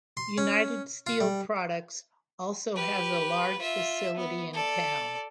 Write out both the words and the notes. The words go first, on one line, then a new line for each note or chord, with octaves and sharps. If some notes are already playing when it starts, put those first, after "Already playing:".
United Steel Products also has a large facility in town.
C6
C#4
F4
G3
G4 B4
F4 E5
B3
A4 D5